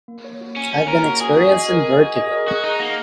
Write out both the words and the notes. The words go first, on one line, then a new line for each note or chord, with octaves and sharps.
I've been experiencing Vertigo.
A#3
C#5
F#4
C#4 G#5
A#3
A#4 C#5
F#4
G#4 G#5
F#4
D#5
A#4
G#5
F#4
D#5
A#4
F#4 G#4
D#4 G#4
A#3 F#5